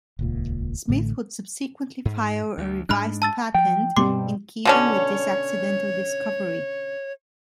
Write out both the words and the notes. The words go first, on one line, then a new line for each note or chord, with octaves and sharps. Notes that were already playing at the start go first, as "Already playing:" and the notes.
Smith would subsequently file a revised patent in keeping with this accidental discovery.
D#1 C#2 A#2
A1 A2 D3 A3
G#2
D2
G#2 G#3 D4 B5 F6 F#6
A5 E6 A6
F3 G5
G2 B2 G3 C4 C6 D6 C7
B2 D3 C#4 C#5